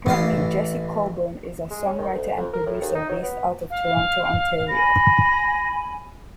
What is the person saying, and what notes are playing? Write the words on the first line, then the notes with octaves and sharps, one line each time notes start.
Currently Jesse Colburn is a songwriter and producer based out of Toronto, Ontario.
A1 E3 F5
G#3
C#4
D#3
D2
F2
A#4
A2
D#2
D#4
F#3
B3
F5
G#5 B5 A#6